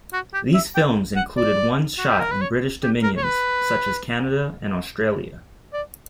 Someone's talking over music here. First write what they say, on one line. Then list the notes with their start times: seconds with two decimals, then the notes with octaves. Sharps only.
These films included ones shot in British dominions such as Canada and Australia.
0.13 F#4
0.34 G4
0.54 E5
0.75 G5
1.16 F#5
1.37 D5
1.98 F#4
2.09 G4
2.19 A#4
2.31 B4
2.41 C#5
2.83 G4
3.03 A#4
3.17 C#5
3.25 B4
5.73 D5